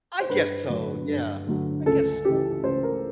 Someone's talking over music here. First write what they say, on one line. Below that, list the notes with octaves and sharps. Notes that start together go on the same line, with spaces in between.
I guess so. Yeah. I guess so.
C5
G2 B4
D3 F#3
G2
D3 F#3
C#2 A4
C#3 E3 G4
C#2 C5
A#4